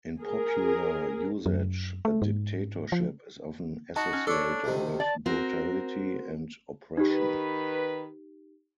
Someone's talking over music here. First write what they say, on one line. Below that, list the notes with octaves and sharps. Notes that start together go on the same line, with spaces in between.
In popular usage, a "dictatorship" is often associated with brutality and oppression.
G#4 A#4
F#2
A3
G#2
F3
D#4 F#4 A5
C#4
D4 A4 C#5 D5
D2 C3 D#3
D5 A5
C4 F#4 A#4
D#3 D#4 G4 B4